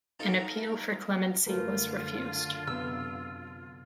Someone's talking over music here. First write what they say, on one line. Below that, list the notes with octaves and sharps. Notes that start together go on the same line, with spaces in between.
An appeal for clemency was refused.
D#4 F4 A4 A#4
F#2 D3 A3 F4 A#4 B4
C3 B3 E6